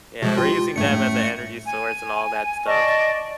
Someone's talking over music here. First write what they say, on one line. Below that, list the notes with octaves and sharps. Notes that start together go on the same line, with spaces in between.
Yeah, we're using them as an energy source and all that stuff,
B2 F3 G#3
F4 G4
A2 E3 A3 D4 C#7
A2 C#4
G#5
D5 D#5 A5 C#6